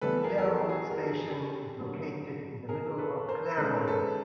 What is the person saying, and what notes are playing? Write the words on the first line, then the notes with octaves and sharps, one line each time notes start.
Claremont station is located in the middle of Claremont.
E3 G3 B3 A4 B4
G#4 A#4
A#4
G4 A4
F#4 G#4
A#4
A4
G#4
G4 A4
D3 F#3 A#3
G#4 A#4
A4 B4
A#4 C5
D#3 G#3 C#4 A4 B4
A#4
A4 B4